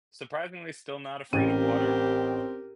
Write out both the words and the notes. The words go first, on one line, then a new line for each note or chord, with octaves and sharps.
surprisingly still not afraid of water.
A1 C4 G4 A#4 D#7